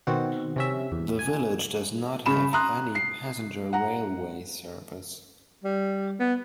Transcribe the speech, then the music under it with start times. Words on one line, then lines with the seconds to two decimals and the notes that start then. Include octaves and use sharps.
The village does not have any passenger railway service.
0.07 B2 D#3 C4 F#4
0.56 C3 C#4 E5
0.92 E2
1.19 G#5
2.26 C#3 B5 E7
2.53 A#5 C6 D#6 F#6
2.95 C7
3.73 F#5 A#5
5.64 G3
6.20 B3